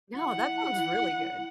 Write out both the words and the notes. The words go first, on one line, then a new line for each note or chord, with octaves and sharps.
No, that sounds really good.
E4 F#5